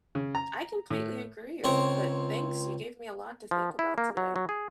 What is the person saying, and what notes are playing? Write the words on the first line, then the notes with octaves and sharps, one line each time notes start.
I completely agree r but thanks, you gave me a lot to think about today.
C#3
A#5
A2
C#2 C4 A#4 C#5
F3
E4
A#3
F#3
F#3
G#4